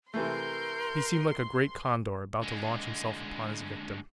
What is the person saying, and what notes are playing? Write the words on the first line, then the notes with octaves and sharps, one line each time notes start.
He seemed like a great condor about to launch himself upon his victim.
C3 E3 A3 A#4 C6 G6
D3 G#3